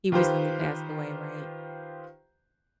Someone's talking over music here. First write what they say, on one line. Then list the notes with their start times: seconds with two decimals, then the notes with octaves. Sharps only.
he recently passed away, right,
0.12 D#3 F4 G4 B4 C5